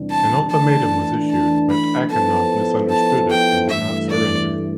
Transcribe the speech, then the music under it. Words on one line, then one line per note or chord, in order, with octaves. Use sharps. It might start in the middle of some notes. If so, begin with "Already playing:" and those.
An ultimatum was issued, but Achinov misunderstood it and did not surrender.
Already playing: E2 C3 E3 G3 D4
A5
E3 A3 D4 A5
A5
B5
F3 B3 E4 A4 C5 A5
A5
G5
G2 E3 A3 E5
D5